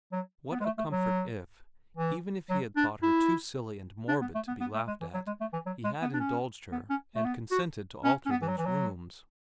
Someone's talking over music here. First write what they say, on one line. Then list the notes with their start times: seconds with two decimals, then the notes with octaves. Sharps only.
What a comfort if, even if he had thought her too silly and morbid to be laughed at, he had indulged her and consented to alter those rooms.
0.12 F#3
0.52 B3
0.60 G#3
0.65 A3
0.78 A3
0.92 F#3
1.97 E3
2.50 F#3
2.76 D4
3.03 E4
4.08 D4
4.21 B3
4.35 A3
4.48 B3
4.61 B3
4.74 A3
4.87 G#3
5.01 E3
5.14 F#3
5.27 G#3
5.41 A3
5.53 E3
5.66 F#3
5.84 G#3
6.02 B3
6.13 D4
6.20 C#4
6.72 B3
6.90 C#4
7.15 A3
7.25 B3
7.51 F#4
8.04 C#4
8.26 C#4
8.31 B3
8.42 E3
8.48 F#3
8.58 E3
8.66 F#3